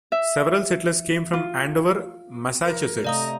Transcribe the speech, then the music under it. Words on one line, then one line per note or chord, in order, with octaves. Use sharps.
Several settlers came from Andover, Massachusetts.
E5
F4
A#4
C3 A3 D5 D#5 F5 A#5 D#6